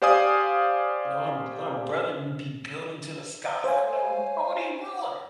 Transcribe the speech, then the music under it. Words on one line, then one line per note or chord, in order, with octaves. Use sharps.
You know, m my brother would be building in to the sky. I'd be like, "Bro, what are you doing?"
G4 C5 D5 F5 G#5 D#6
C5 C#5 F5 G#5